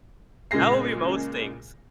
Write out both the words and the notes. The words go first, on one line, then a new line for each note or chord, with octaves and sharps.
that would be most things.
A#2 C#3 G#3 G#4 A#6 C7